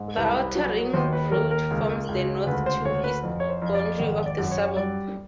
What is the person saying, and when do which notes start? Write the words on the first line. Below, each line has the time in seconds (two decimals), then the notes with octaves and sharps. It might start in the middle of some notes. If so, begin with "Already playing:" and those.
The outer ring road forms the north to east boundary of the suburb.
Already playing: G#2
0.17 C2 B4
0.55 F#3
0.94 D#2 C5
1.13 B4
1.32 D#2 A#4
1.51 A#4
1.70 C#2
2.08 C#2
2.47 D2 B4
2.66 C5
2.85 D2 C#5
3.04 B4
3.23 F2
3.40 C#5
3.49 C5
3.62 F2
3.74 D5
4.00 G#1
4.26 D5
4.38 F#2
4.51 C#5
4.77 G3 D5